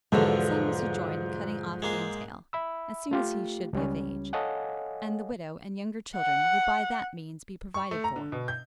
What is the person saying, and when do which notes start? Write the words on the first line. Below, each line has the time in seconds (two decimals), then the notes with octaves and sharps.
The son was to join in cutting off the entail, as soon as he should be of age, and the widow and younger children would by that means be provided for.
0.12 B1 E2 G#2 D3 F3 F#4 A4
1.82 G#3 A#3 G#4
2.53 E5 B5 E6
3.11 A3 F4 G4
3.73 C#2 G3 C#4
4.33 A4 C#5 D#5 F5 F#5 G#5
6.17 F#5
7.74 C#6
7.91 A3
8.04 A#5
8.16 D3
8.32 B2
8.48 G6